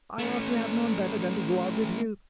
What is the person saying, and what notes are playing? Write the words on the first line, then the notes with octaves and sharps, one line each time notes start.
I ought to have known better than to go out with you.
A3 C#4